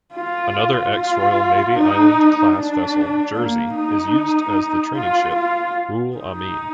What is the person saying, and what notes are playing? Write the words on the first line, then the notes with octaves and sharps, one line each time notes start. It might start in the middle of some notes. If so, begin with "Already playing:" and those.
Another ex-Royal Navy Island-class vessel, "Jersey", is used as the training ship, "Ruhul Amin".
F4
F4
D#4
D4
A#3
D#4
F4
F4
D#4